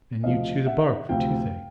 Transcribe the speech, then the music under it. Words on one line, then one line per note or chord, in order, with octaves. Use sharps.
"And you chew the bark for toothache."
D2 C3 F3 D#5 F5
E5 F#5
D2 C3 F3 F5 G5